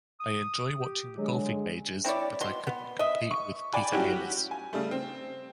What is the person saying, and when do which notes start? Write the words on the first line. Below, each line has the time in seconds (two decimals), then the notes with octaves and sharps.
I enjoy watching the golfing Majors but I couldn't compete with Peter Alliss.
0.20 D#6
0.77 G4
1.17 D3 F#3 G#3
2.04 C4 E4 C#5 D5
2.41 B2 C6
2.67 B3
2.99 D#5 E5
3.31 C#6
3.73 D5 G5 G#5 B5
3.93 F#3 G3 C#4 E4 F#4 G4
4.51 G#5
4.73 C#3 G3 A3
4.91 C4